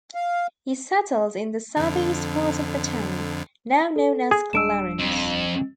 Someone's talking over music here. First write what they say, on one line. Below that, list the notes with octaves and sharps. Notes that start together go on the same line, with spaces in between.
He settled in the southeast part of the town, now known as Clarence.
F5
F2 D3
A4
G#4
D#1 G3 D4 E6 D7 E7
F2